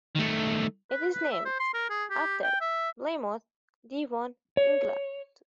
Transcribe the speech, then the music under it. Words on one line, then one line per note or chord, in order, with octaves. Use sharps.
It is named after Plymouth, Devon, England.
D#3 A3
B4
B4
E5
C5
C6
A#4
G#4
G4
G5
E5
C#5